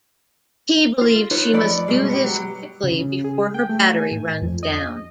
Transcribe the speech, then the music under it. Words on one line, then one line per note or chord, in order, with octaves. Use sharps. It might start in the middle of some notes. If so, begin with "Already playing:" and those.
Key believes she must do this quickly before her battery runs down.
F4
D#4 F4 B4 C#5
F2 A3 D5 B5
G2 B2 G#3
B3 G4
F#3
C#3
G#4
G5
A3
G#5
A2
F2
D#5